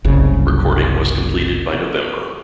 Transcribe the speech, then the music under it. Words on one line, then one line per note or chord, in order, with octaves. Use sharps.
Recording was completed by November.
F#1 C2 C#3